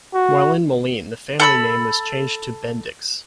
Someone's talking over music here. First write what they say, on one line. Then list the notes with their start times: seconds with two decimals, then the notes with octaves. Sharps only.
While in Moline the family name was changed to "Bendix".
0.14 F#4
1.40 A4 B5 E6